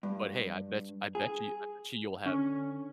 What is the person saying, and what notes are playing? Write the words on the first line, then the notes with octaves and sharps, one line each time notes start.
But hey, I bet I bet you I bet you you'll have
G2
G#4
D3 C#4